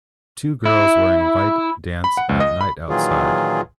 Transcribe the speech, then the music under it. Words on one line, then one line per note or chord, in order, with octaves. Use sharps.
Two girls wearing white dance at night outside.
E4
B5
F#5
C#2
D#5
B5
A#2 D#3 E3 F#3 F4 G#4